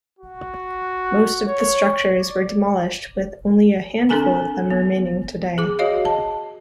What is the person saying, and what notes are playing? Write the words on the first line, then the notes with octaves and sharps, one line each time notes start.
Most of the structures were demolished with only a handful of them remaining today.
F#4
C#5
D5
C4 D4 A4 A#4 G#5 A#5
B3
G#4 D6
F#4 C#5 D#5 F5
A5